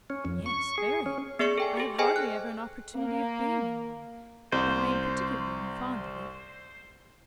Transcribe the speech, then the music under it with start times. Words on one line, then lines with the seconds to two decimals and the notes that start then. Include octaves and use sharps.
"Yes, very: I have hardly ever an opportunity of being in one; but I am particularly fond of it."
0.10 C#4
0.25 F2
0.46 C#6
0.78 G#4
1.06 C#4
1.39 B3 G#4 D5 C#6 C#7
1.58 A4 G5 G#5
1.77 G4 A4
1.99 G#4 A4 C5 D#5 G5 G#5
2.16 F#6
2.96 A#3
4.52 C2 C5